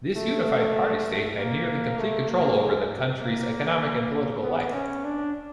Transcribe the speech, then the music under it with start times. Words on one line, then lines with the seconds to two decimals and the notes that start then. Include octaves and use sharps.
This unified party-state had nearly complete control over the country's economic and political life.
0.16 A3
1.38 A#3
1.98 A3
2.29 A#3
2.59 G#3
3.21 A#3
4.42 B3
4.74 C#4
5.04 D4